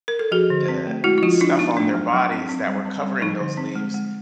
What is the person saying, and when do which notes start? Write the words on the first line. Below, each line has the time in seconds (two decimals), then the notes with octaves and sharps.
the stuff on their bodies that were covering those leaves,
0.08 A#4
0.19 A4
0.31 F3 F#4 G#4
0.50 D3
0.69 C4
0.87 A3
1.04 G#3 E4 F#4
1.18 E4
1.23 F3 D#4 F4
1.41 D4 E4
1.59 B3 D#4
1.77 A3 D4
1.94 F#3
2.13 F#3
2.32 C4
2.49 C4
2.68 G3
2.85 C4
3.03 G3
3.22 F3 D#4
3.40 D3
3.57 C4
3.75 G#3
3.94 G#3